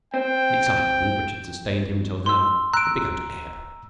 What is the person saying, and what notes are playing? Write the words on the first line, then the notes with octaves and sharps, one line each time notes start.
The excitement which had sustained him till now had begun to ebb.
C4 G5
C6 E6
A#5 E6 F#6 D7